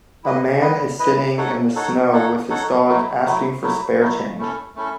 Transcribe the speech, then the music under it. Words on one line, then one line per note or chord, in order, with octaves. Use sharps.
A man is sitting in the snow with his dog asking for spare change.
E4 B4 D#5
E4 B4 D#5
E4 B4 D#5
D#4 A4 C#5 F#5
D#4 A4 C#5 F#5
D#4 A4 C#5 F#5
D#4 A4 C#5 F#5
F#3 A3 E4
F#3 A3 E4
F#3 A3 E4
F#3 A3 E4
A3 C#4 E4 A4
A3 C#4 E4 A4